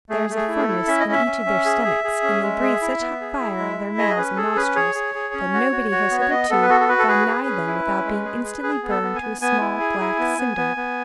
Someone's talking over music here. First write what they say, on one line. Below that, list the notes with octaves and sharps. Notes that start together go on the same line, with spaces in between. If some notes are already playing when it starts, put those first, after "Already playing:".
There is a furnace in each of their stomachs; and they breathe such hot fire out of their mouths and nostrils, that nobody has hitherto gone nigh them without being instantly burned to a small, black cinder.
A3 G#4
A3
G#4
E4
G#4
A4
E4
C#4 E5
D#5
C#4
E5
C#4
C#4
G#4
G#4
G#4
C#4
G#3
G#4
E4
B3
G#4
E4
G#3
E4
G#4 D#5
C#4 B4
G#4 A4
C#4 B4
G#4 C#5
G#4
G#4
C#4
F#4
F#4
F#4
B3
C#5
B3 D#5
B3 A4
B4
F#4 A4
A4
F#4 B4
A4
G#4 B4
G#4
C#4
E4
C#4
G#3
G#4
G#4
G#4
B3
A4
B3
G#5
B3
B3 G#5
E4
G#4
E4
B3
B3
B3
B3